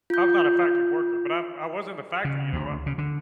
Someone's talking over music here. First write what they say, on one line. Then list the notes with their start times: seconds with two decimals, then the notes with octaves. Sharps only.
I was not a factory worker, but I I was in the factory, you know, I
0.10 F4 G6
2.25 C#3
2.53 D2
2.86 C#3
2.98 D3